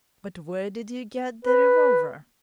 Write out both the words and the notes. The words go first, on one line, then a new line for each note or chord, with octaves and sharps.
But where did you get the revolver?
B4